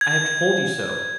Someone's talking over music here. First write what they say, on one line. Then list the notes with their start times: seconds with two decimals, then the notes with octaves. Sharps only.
I have told you so.
0.01 G#6